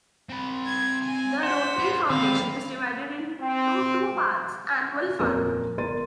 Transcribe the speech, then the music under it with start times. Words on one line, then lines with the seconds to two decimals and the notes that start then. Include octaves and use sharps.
The Rotary Foundation is divided into two parts: Annual Fund.
0.30 C4 B5
0.66 G#6
1.05 G#5
1.43 C5 F#5 B6
1.79 B3 F4
2.10 D3 D#3 C4 F5 B5
3.40 C4
5.19 D#1 F2 C#4 A#4
5.78 G1 A#4 D5 C6 A6 D#7